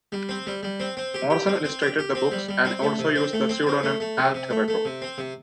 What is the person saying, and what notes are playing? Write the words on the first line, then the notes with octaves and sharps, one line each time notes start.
Morrison illustrated the books and also used the pseudonym Al Terego.
G3
C4
G3
G3
C4
C4
G4
G4
C4
C4
G4
G4
C4
G3
G3
C4
A3
C3
C4
A3
C4
C4
A3
A3
C3
C3
A3
A3
C3
C4
C3